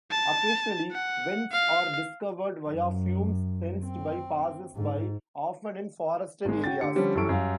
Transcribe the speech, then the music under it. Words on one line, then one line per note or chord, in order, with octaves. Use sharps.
Occasionally, vents are discovered via fumes sensed by passers-by, often in forested areas.
A5
F#5
F5
F#2
C4
G#2
G#1 G#3
F#4 G5 A6
D3 G4 C#7
D3 F3 G3 C#4
F#2 E3 G3 A4 C#6 D7
F#2 G3 F5